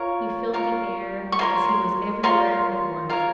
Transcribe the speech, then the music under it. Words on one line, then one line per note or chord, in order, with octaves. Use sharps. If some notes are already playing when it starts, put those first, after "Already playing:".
He filled the air, as he was everywhere at once.
Already playing: F4 A#4 C#5
F4 A#4 C#5
C#6
F4 A#4 C#5 C6
F4 A#4 C#5 C6
F4 A#4 C#5